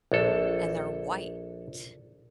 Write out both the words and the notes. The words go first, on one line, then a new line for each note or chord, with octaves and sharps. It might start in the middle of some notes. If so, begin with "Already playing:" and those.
and they're white,
A#1 A4